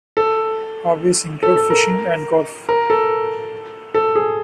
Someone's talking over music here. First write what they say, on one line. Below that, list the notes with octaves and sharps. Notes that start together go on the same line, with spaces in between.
Hobbies include fishing and golf.
A4
A4
A4
A#4
A#4
A4
A4
G#4